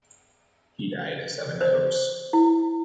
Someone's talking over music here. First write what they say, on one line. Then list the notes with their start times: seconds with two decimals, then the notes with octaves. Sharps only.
He died at Sevenoaks.
1.61 C5
2.33 E4